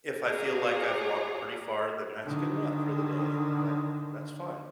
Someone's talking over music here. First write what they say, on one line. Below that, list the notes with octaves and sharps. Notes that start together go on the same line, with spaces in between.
if I feel like I've walked pretty far, then that's good enough for the day, like, that's fine.
F4 F#4 G#4 C#5 D5 A#5
D3 D#3